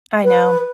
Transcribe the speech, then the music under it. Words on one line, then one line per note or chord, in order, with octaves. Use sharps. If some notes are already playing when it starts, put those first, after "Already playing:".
I know,
B4